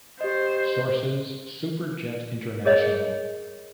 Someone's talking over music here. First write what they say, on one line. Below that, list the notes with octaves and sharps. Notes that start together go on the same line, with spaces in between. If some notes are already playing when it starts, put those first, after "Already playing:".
Sources: SuperJet International.
G4 C5 D#5
G#4 A#4 C#5 D#5